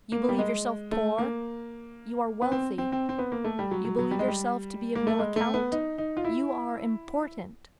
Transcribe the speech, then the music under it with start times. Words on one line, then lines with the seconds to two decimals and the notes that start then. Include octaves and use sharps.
You believe yourself poor; you are wealthy. You believe yourself to be of no account; you are important.
0.12 A#3
0.29 G3
0.38 G#3
0.92 A3
1.18 A#3
2.42 B3
2.52 C4
2.78 C4
2.92 C4
3.09 C4
3.19 B3
3.32 A#3
3.44 A3
3.59 G3
3.71 F#3
3.85 F#3
3.99 F#3
4.11 G3
4.19 G#3
4.28 G3
4.95 A#3
5.07 A3
5.19 G#3
5.36 A3
5.54 B3
5.72 D#4
5.98 D#4
6.17 F4
6.24 E4